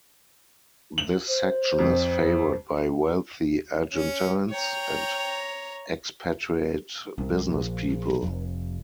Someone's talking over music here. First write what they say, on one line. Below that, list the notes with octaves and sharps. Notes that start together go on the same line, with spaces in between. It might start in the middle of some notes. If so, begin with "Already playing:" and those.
This section is favored by wealthy Argentines and expatriate businesspeople.
F#7
C5
F2
C#4
C#5 G5 A#5
C2
A#1
F1